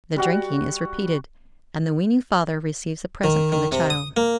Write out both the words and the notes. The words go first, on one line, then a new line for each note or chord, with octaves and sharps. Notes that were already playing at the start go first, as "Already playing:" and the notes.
The drinking is repeated, and the weaning father receives a present from the child.
G3 F#4 F#5
D#3
D#3
C3
D#6
A#3